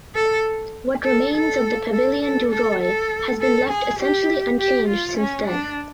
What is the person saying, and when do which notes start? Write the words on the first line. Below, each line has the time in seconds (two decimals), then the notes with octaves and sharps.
What remains of the Pavillon du Roi has been left essentially unchanged since then.
0.15 A4
1.04 A4
1.34 A4
1.93 A4
2.23 A4
2.52 A4
2.82 A4
3.41 A4
3.70 G#4
4.00 G4
4.59 G4
4.89 F4
5.18 C#4
5.48 D4